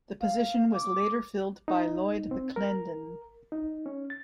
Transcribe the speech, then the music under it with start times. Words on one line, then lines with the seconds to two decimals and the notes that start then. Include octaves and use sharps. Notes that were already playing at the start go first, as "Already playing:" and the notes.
The position was later filled by Lloyd McClendon.
0.22 F5
0.75 D6
1.68 D#4
2.31 C4
2.56 A#4
3.52 D#4
3.86 C#4
4.10 A6